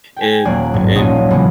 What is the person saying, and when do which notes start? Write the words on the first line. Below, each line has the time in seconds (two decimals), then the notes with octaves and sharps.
and and,
0.16 G5 G#5
0.45 D#1 F#3 A#3 G#4 D5 F#6
0.74 G#1 G2 F#3
0.95 A#1 F#3 C#4 D#5 F#5
1.30 A#2 C#3 E3 G#3 B3